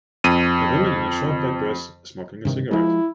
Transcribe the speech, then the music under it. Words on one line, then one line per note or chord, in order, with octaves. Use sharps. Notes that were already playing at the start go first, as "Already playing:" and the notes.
A woman in a short black dress smoking a cigarette.
F2 D#7
G2 C3 D#3
F3 G#3 E4